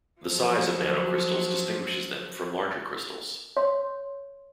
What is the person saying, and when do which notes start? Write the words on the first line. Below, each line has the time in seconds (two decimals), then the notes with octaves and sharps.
The size of nanocrystals distinguishes them from larger crystals.
0.22 F3 F#3
3.57 C#5 C6